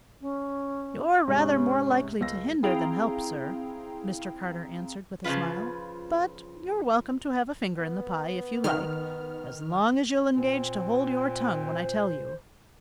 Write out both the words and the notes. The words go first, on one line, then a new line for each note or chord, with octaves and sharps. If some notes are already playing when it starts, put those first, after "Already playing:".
"You're rather more likely to hinder than help, sir," Mr. Carter answered, with a smile; "but you're welcome to have a finger in the pie if you like, as long as you'll engage to hold your tongue when I tell you."
C#4
G#2 C3 C#4
C#2 F5 E6 A#6
C4 E4 G#4 F5 G5 A#5
C#3 F3 D#4 F4 B4
B3
D#3 F6
A#2 C4
C5